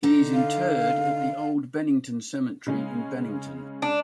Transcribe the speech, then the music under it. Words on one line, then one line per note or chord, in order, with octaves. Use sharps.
He is interred at the Old Bennington Cemetery in Bennington.
D3 D#4
F5
C#3 G#3 C#4
D4